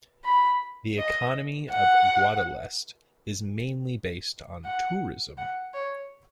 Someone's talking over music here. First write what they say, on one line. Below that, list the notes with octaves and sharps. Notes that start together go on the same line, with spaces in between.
The economy of Guadalest is mainly based on tourism.
B5
D#5
F#5
F#5
F#5
C#5